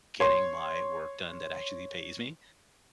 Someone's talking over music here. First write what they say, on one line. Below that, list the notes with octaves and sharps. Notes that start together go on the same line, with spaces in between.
getting my work done that actually pays me,
C#5 C6